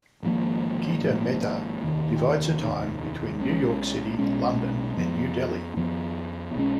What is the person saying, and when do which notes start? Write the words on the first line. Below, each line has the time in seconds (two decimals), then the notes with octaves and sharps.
Gita Mehta divides her time between New York City, London and New Delhi.
0.23 G#1 G#2 F3 A#3
1.02 G#1 G#2 F3 A#3
1.82 F1 D#2 D#3
2.60 F1 D#2 D#3
3.40 B1 B2 G#3 C#4
4.19 B1 B2 G#3 C#4
4.97 F2 F3 B3
5.76 F2 F3 B3
6.54 B1 A#2 G#3 C#4